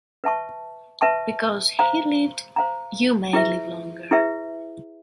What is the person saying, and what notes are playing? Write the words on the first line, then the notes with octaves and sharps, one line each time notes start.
Because he lived you may live longer.
B4 E5 A5 C#6
B4 E5 A5 C#6
C5 F5 A#5
C5 F5 A#5
E4 G#4 B4 E5
E4 G#4 B4 E5